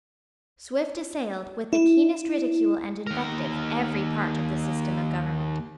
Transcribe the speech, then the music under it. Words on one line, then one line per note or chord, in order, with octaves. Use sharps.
Swift assailed, with the keenest ridicule and invective, every part of the system of government.
E4
D#2 A#4